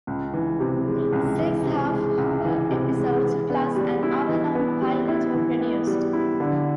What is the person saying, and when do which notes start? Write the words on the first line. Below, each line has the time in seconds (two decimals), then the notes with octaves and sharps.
Six half-hour episodes plus an hour-long pilot were produced.
0.07 C#2
0.33 E3
0.60 C3
0.86 G#3
1.13 C#2
1.39 E3
1.65 C3
1.92 G#3
2.18 C#2
2.45 E3
2.70 C3
2.97 G#3
3.23 E3
3.50 B3
3.76 G3
4.03 E4
4.29 E3
4.55 B3
4.81 G3
5.08 E4
5.34 E3
5.61 B3
5.87 G3
6.13 E4
6.40 D3